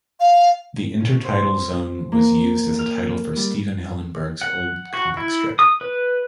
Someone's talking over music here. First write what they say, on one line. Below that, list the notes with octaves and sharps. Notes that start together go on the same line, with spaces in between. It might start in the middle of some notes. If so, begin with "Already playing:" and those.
The Intertidal Zone was used as a title for Stephen Hillenburg's old comic strip.
F5
C#4
C5
A#3
F6
G3
F#5
F#4
E4
D#6
B4